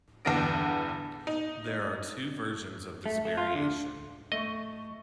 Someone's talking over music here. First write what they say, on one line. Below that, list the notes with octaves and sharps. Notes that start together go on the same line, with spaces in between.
There are two versions of this variation.
E2 G2 D3 B3 A#6 D7
D#4
A3
A3
F4
D3
A3 D#5 C#6